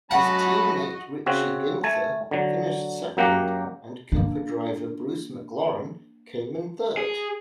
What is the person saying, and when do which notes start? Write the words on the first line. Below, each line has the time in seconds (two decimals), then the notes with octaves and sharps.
His teammate Richie Ginther finished second and Cooper driver Bruce McLaren came in third.
0.11 F#3 A3 C#4 F#4 D#5 F#5 A5 B5
1.26 C#3 C4 F#4
1.83 A3 G#5 A5
2.31 D3 F#3
3.17 F#2 F#3 A#3 G4 F#5 A#5
4.12 A#3 D4
6.97 G#4